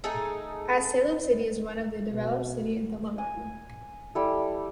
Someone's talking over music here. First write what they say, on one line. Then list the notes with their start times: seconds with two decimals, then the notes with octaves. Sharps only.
As Salem city is one of the developed city in Tamilnadu.
0.04 A3 D#4 G#4 A4
2.11 B2
3.18 G#5
4.15 G3 E4 A4